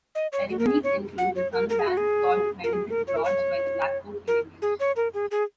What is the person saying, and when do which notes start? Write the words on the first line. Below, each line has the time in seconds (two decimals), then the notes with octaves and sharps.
Ceremonies include the Sun Dance, called Medicine Lodge by the Blackfoot in English.
0.15 D#5
0.32 C#5
0.50 F#4
0.59 A#4
0.67 G#4
0.84 C#5
1.18 F#5
1.36 C#5
1.53 A#4
1.70 A#4
1.79 G#4
1.88 F#4
1.97 G#4
2.64 A#4
2.73 G#4
2.90 A#4
3.07 C#5
3.16 A#4
3.25 C#5
4.28 A#4
4.62 G#4
4.80 C#5
4.96 A#4
5.14 G#4
5.31 G#4